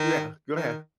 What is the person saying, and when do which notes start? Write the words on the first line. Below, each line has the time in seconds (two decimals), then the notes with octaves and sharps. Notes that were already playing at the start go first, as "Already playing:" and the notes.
Yeah, go ahead.
Already playing: D#3
0.56 D#3